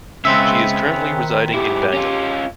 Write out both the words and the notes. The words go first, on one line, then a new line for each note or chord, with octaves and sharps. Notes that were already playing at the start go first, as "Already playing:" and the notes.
She is currently residing in Bangalore.
C#3 G#3 B3 C4 E5
D#3
G#2 E4 G4
C#4 F4